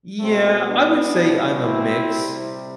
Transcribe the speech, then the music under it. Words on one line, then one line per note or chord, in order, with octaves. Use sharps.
Yeah, I would say I'm a mix.
B2 G3 A3 C4
B3 D4
B2 G3
C4 E4
C3 G3